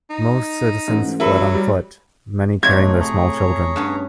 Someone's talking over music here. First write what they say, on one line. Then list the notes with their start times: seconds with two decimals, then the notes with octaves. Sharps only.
Most citizens fled on foot, many carrying their small children.
0.10 D#4
0.88 A1 G#2
1.02 A1
1.20 F#3 G#4 A#4 E5 B5
1.54 G3
2.63 A2 C3 F#3 A3 D#4 C#5 G#6
3.00 G#4 C#5 A#5
3.76 G2 B3 C#4